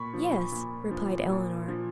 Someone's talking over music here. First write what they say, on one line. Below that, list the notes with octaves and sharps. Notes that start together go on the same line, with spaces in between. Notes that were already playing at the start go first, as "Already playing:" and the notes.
"Yes," replied Eleanor.
Already playing: A#2 B5 C#6
F3
A#2
F3
A#2
F3